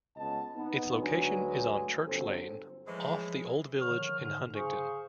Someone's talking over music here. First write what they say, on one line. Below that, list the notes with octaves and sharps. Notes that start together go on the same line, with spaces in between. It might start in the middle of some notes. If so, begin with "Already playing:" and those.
Its location is on Church Lane, off the Old Village in Huntington.
C#2 C#3 B3 D#5 A5
B3 D#4
D2 F#3 G#3 D4 B4 G#5
G1 F#3 C4 A4 C5
A2 E3 F3 G#3 G#4
D3 D#3 F3 C#5 F6
G#2 D3
C#3 G#4 C5 C#6